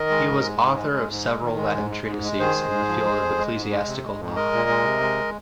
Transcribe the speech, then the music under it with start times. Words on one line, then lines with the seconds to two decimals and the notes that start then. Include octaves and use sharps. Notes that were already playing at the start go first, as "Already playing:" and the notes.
He was author of several Latin treatises in the field of ecclesiastical law.
Already playing: D#3 A#4 D#5
0.10 G#3
0.27 G#2
0.43 G#3
0.59 G#2
0.76 G#3
0.92 G#3
1.09 G#2
1.24 G#3
1.42 D#3
1.57 G#3
1.74 G#2
1.90 G#3
2.07 G#2
2.23 G#3
2.40 D#3 G#4 C5
2.56 G#3
2.72 G#2
2.89 F3
3.05 G#3
3.22 F2
3.38 G#3
3.54 G#2
3.71 G#3
3.87 C3
4.03 G#3
4.19 F2
4.36 G#3 A#4 D#5
4.53 A#2
4.69 G#3
4.85 C3
5.02 G#3